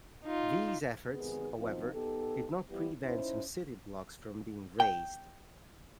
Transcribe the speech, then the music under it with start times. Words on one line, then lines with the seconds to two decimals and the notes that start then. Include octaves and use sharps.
These efforts, however, did not prevent some city blocks from being razed.
0.24 D#4 F4
1.14 G#1 C3 D#3 B3 G#4
1.58 B2 D#3 F3 C4 D#4 F4
1.94 B3 D#4 G4 A4
2.70 E3 F3 G3 B3 E4 G4
3.02 C#4 D#4 E4 C5
4.80 G5